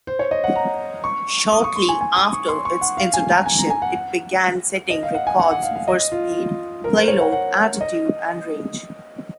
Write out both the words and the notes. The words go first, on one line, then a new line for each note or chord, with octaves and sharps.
Shortly after its introduction, it began setting records for speed, payload, altitude and range.
C5
C#5
D#5
F#5
A#5
C#6
D#6
C#6
C6
G#5
G#5
D#6
C#6
C6
C#6
F#5
F5
G#5
A#5
G#5
A#5
G#5
F#5
D#5
F5
F#5
G#5
F#5
F#5
F5
F5
D#5
F4
A#4
C5
C#5
F#5
F#5
D#5